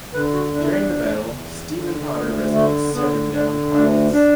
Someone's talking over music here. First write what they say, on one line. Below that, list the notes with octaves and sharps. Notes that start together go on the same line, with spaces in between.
During the battle, "Stephen Potter" rescued seven downed pilots.
D3 B4
F#4
E2 D4
E4
D4
E2
E2
D3
D2 B3
D3 A3
D3 B3
D3 D4
D2 D4
D4